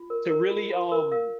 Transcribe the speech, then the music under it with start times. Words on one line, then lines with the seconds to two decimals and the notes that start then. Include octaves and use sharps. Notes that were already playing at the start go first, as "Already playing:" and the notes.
to really, um,
Already playing: F4
0.10 A#4
0.30 A#4
0.51 F4
0.70 F4
0.92 A#4
1.12 A#4 F5